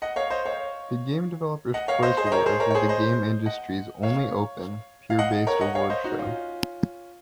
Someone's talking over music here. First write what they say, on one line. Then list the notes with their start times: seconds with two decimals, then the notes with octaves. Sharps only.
The Game Developers Choice Awards is the game industry's only open, peer-based awards show.
0.02 D#5 F#5
0.16 C#5 F5
0.30 C5 D#5
0.46 C#5 F5
1.74 D#5 F#5
1.88 C#5 F5
2.03 C5 D#5
2.17 G#4 C5
2.27 D#5
2.32 A#4 C#5
2.46 G#4 C5
2.60 A#4 C#5
2.71 C#5
2.75 G#4 C5
2.89 C5 D#5
3.46 D#5 F#5
4.03 C#5 F5
5.10 F5
5.19 D#5 F#5
5.47 A#4 C#5
5.61 D#5 F#5
5.75 C#5 F5
5.90 C5 D#5
6.04 D#4 F#4
6.19 C#4 F4